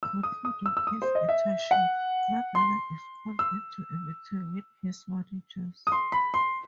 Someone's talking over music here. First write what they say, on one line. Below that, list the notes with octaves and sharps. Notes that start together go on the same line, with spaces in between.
Concluding his internship, Gardner is called into a meeting with his managers.
E6
D#6
D#6
E6
E6
D#6
C5
D#5
E5
F#5
C6
E6
D#6
C6
B5
C6